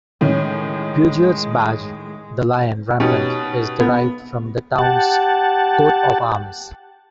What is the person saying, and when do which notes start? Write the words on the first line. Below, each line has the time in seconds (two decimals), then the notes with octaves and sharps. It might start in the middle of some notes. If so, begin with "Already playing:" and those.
Peugeot's badge, the lion rampant, is derived from the town's coat-of-arms.
0.21 A2 D#3 G#3 C#4
3.00 B2 C#4 D#4 G4
3.80 B3
4.78 G4 F#5 A5